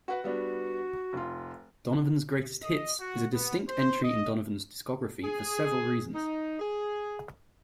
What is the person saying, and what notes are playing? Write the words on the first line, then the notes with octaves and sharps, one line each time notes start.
"Donovan's Greatest Hits" is a distinct entry in Donovan's discography for several reasons.
F#4 B4 F#5
G3 B3 D4 F#4
F1 F4
D#5
F#4
B3
C5
D#5
G#4
D#4
G#4